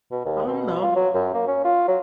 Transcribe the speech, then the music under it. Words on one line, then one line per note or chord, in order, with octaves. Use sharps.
Um, no,
B2
D#2
B2
F4
F#3
F#2
A#3
C#4
F4
F#3